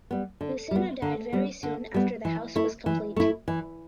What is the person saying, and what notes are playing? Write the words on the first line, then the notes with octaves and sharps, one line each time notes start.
Lucena died very soon after the house was complete.
G3 B3
D3
G3 B3
D3
G3 B3
D3
G3 B3
E3
A3 E4
E3
A3 E4
E3